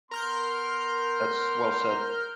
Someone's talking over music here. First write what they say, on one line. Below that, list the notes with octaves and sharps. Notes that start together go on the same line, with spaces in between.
That's well said.
B3 A#4 C6 F6 G6